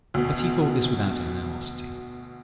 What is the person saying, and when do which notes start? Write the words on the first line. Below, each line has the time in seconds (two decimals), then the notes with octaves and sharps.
But he thought this without animosity.
0.14 D2 B2